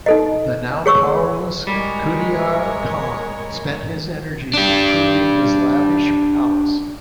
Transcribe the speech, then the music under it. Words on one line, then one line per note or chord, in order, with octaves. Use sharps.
The now powerless Khudayar Khan spent his energies improving his lavish palace.
D#4 A4 D#5
G#4 C#5 C#6 E6
D1 G3 G#3 A#4 C#5
D4 G4